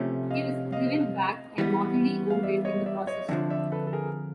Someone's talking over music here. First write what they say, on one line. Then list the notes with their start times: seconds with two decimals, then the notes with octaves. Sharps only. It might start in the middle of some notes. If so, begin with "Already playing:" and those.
He was driven back, and mortally wounded in the process.
Already playing: C3 F3 A3 C#4
0.31 D#5 F5
0.72 D#5 F5
1.58 E3 G3 B3
2.30 F5
2.43 D5 E5
2.65 C#5 D#5
2.86 D5 E5
2.98 D5
3.07 C#5 D#5
3.28 F2 D3 F3 D5 E5
3.50 D5 E5
3.72 A4 B4
3.87 A4
3.93 G#4 A#4